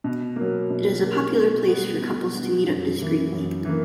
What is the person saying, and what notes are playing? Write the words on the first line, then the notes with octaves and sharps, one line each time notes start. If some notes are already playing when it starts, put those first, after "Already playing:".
It is a popular place for couples to meet up discreetly.
B2
F#3 A#3
B2
F#3 A#3
B2
G3 B3
B2
G3 B3
F#2
E3 A#3
F#2
E3 A#3